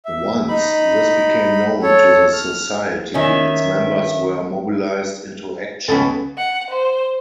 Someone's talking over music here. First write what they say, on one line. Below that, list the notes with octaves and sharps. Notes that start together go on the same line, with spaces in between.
Once this became known to the Society its members were mobilized into action.
E5
D#4 B5
A4 C#5
F6
D#3 C#4 E5
C#2 B3 C#4 A4 B5
F#5
C5